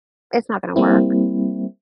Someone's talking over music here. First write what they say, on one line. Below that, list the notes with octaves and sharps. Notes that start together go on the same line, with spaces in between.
it's not gonna work.
G3 A#3 C4 E4